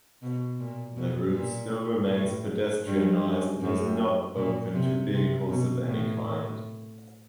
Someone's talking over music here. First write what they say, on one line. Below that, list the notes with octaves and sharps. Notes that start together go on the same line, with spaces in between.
The route still remains pedestrianized and is not open to vehicles of any kind.
B2
A#2
B2
A#2
A2
G2
F#2
F#2
A#2
C3
C3
B2
A2
A2